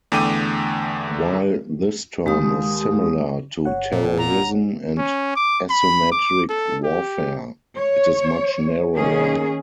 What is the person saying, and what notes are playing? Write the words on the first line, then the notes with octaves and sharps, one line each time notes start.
While this term is similar to terrorism and asymmetric warfare, it is much narrower.
E2 D3 A3 G5 D6 D#7
D#2 G#3 G4 D#6
G1 C#5 F#5
A#2
A#5
C#4
D6
B5
D6
A4
G4
C#5
D#3 A#3 C#4 G#4